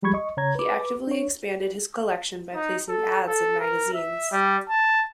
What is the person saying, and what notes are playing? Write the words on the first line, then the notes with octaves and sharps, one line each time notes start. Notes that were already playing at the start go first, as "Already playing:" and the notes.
He actively expanded his collection by placing ads in magazines.
F3 G3 G#3 B5 C#6 G#6
D#5 C#6
C#3 C#5 A#5 G#6
B4 D6
D4 C#5
D#4
A4
A4
A#4
E5
G3
A5